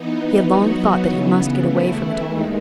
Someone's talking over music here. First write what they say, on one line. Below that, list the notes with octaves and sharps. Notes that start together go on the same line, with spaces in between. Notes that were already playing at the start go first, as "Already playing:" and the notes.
He had long thought that he must get away from it all.
Already playing: E3 B3 D#4
F#3 B3 D#4 F#4
C#3 E3 B3
E3 A3 E4
D#2 D#3 G#3